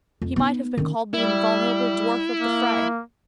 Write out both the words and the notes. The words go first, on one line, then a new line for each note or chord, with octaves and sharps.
He might have been called the invulnerable dwarf of the fray.
F2
B3 D#4
D#3 C#4
G3 E4
A#3